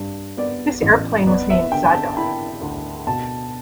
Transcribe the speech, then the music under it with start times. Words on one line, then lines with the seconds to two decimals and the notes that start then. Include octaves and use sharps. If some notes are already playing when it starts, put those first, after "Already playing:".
This airplane was named "Zadar".
Already playing: G2
0.37 B3 D5
0.82 A1
1.27 B3 D5
1.50 E5
1.72 D3 G5
1.94 A5
2.17 E4 B5
2.61 D2
3.07 B2 A5